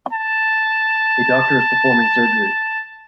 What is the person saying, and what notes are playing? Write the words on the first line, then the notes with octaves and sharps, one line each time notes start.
A doctor is performing surgery.
A5